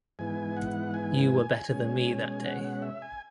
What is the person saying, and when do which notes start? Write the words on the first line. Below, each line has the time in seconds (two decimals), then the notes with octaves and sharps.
You were better than me that day.
0.19 G#2 E3 B3 G#5
0.57 F#5
0.94 G#5
1.70 B2 G#3 C#4
2.45 F#5
2.64 F#5
2.82 E5
3.02 G#5